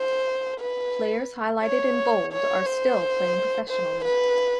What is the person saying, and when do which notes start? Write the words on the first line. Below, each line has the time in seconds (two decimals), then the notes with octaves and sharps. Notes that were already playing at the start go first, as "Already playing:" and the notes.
Players highlighted in bold are still playing professionally.
Already playing: C5
0.60 B4
1.64 C#5
2.33 C#5
2.66 C5
3.70 C5
4.05 B4